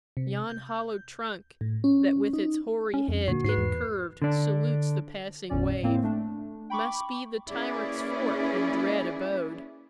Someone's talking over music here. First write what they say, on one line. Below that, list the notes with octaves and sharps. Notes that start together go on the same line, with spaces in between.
Yon hollow trunk, That with its hoary head incurv'd salutes The passing wave, must be the tyrant's fort And dread abode.
C3
G6
A2
C#4
D#4
C#4
F2
A#2 D3 A#3 F#4
G#2 B4 C7
E2
D3 D4
G1 E2 A2 C#4 D5
A2 A#3 C4
A3 D4
G5 B5 C#6 D6
A#3 C#4 E4 G#4 B4 D5